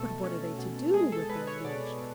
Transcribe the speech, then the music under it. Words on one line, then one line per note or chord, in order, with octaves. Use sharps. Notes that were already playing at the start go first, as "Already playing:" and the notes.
But what are they to do with their leisure?
Already playing: B2 A3 A4
C#4
B2
G#3 G#4
A4
G#3 B4
C#5
B2 D5